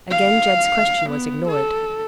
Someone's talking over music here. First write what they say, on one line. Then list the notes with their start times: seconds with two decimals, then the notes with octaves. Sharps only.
Again Jed's question was ignored.
0.11 F5
1.10 B3
1.48 A4